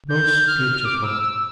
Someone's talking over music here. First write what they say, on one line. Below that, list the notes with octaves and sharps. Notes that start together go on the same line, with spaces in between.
Most beautiful.
G6
F6
D6
E6
E6